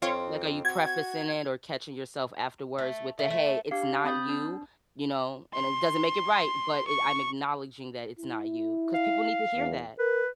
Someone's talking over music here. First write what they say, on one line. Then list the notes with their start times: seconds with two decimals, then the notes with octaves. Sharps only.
Like, are you prefacing it or catching yourself afterwards with the, "Hey, it's not you," you know? And, "it doesn't make it right, but, it I'm acknowledging that it's not you," 'cause people need to hear that.
0.02 F2 C4 F4 C#5
0.65 F#4 G#6
2.78 A3
3.19 A3
3.30 A3
3.71 D4 G4 F5
4.04 C4 B5 D#6 G6 A6
4.29 D4
5.54 C6
6.87 C#6
8.19 E4
8.94 F5
9.55 E2
9.99 A#4 B4